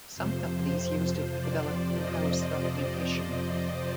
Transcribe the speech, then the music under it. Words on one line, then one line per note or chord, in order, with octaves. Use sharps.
Some companies used it to develop in-house documentation.
F2 C3 F3 C5
D5
D#5